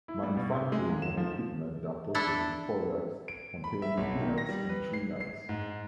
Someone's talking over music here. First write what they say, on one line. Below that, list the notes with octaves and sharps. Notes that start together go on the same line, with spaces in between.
Manufactured on equipment that processes products containing peanuts and tree nuts.
E4
G3
B2
C3
G#3
D#2
E7
F3
D4 E4 A4
D7
B5
E5
B1
D#3
A#6
G3
B4
C7
C7
G#2